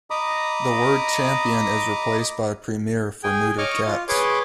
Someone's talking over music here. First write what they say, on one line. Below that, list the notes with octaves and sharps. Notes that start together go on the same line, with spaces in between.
The word Champion is replaced by Premier for neutered cats.
D#5 A#5 B5 D6 D#6
G#4 G5 G#5
C#5 D#5 C#6 D6 F6
F4
G#4 B4 C#5 C6 D6